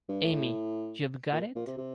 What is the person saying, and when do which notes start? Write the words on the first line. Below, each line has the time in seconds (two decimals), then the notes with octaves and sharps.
Amy, you've got it?
0.09 G2
0.24 A2
1.32 A#2
1.56 A#2
1.67 C3
1.78 C3